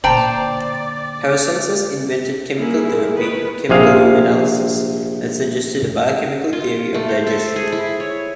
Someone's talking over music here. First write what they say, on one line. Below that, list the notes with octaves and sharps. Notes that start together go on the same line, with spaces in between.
Paracelsus invented chemical therapy, chemical urinalysis, and suggested a biochemical theory of digestion.
A#2 D3 C5 D5 G5 A5 A#5
G3 A#3 E4 F4 G#4
D#3 B3 B4
A#1 C3 G#4 F5
F4
A3
C5
A4
G#4
E4
C#5